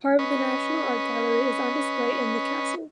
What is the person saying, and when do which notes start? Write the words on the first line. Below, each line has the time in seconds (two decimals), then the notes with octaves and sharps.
Part of the National Art Gallery is on display in the castle.
0.19 C#4 B4 D#5